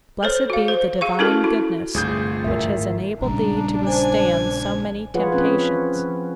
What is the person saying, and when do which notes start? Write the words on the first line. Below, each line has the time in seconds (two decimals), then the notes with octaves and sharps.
Blessed be the Divine goodness, which has enabled thee to withstand so many temptations!
0.23 A4 C5 C#5
0.50 F#4 F5
0.68 C5
1.01 G#4 F5 C#6
1.19 C#4 E4 F#4 A4 A#4
1.44 E4 F#4
1.94 G1 C2 C3 A3 F4 G#4 G6
2.44 D#1 G#1 A#4 E5
3.21 A#1 C#3 G3 D4 A#5
3.86 C5 G#5
5.14 F3 F4 G#4 B4 C#5 F#5
5.32 C4 C#4 B4
5.95 F3